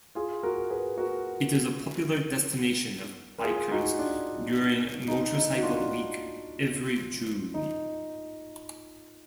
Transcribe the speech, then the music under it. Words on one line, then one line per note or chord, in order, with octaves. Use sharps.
It is a popular destination of bikers during Motorcycle Week every June.
F4 G#4
F#4 A#4
G#4 B4
F#4 A#4
A#4
F4 G#4
D#4 F#4
D4 F4
D#4
D#4
F#4
D4 F4
D#4